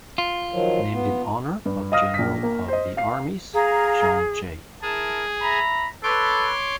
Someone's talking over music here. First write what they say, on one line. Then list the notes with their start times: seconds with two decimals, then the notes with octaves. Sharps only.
Named in honor of General of the Armies John J.
0.18 F4
0.52 D#3 F3 F#3
0.93 B3
1.66 G2
1.92 D#5 F5 D#6 F6 A#6
2.14 A#1 B6
2.43 A#3
2.68 C5 D#5
2.97 F5 C7
3.54 G#4 F5 A#5
4.82 E4 G#4 A#4 A5
5.42 E5 A#5 B5
6.03 A4 B4 C#5 C6 D6